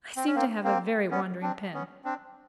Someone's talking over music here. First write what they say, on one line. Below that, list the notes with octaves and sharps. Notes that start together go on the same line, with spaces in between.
I seem to have a very wandering pen.
C4
C#4
A#3 C4
A#3 C4
B3 C#4
C4 D4
B3 C#4
C4 D4